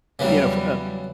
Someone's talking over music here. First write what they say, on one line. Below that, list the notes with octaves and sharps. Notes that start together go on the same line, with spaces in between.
you know, f uh
E2 C#3 E3 F#3 G3